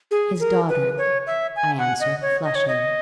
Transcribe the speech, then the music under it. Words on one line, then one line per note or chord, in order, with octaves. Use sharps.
'His daughter,' I answered, flushing.
G#4
A#4
B4
C#5
E5
G#5
F#5
D#5
C#5
D#5
C#5
D#5